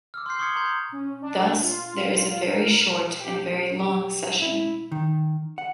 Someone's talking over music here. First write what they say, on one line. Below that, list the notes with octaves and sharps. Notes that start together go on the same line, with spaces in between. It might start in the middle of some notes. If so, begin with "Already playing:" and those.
Thus, there is a very short and very long session.
D6 E6 F6
C6 F6 G6 C7
C6 C#6 D#6 F6 G#6 C#7
A#5 C6 G6 G#6
C#4
D4
F4
A#4
G4
G4
E4
D#3
F#5